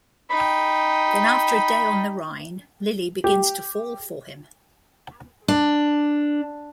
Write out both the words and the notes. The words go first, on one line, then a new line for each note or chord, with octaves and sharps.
Then after a day on the Rhine, Lili begins to fall for him.
D#4 G5 B5
G4
D4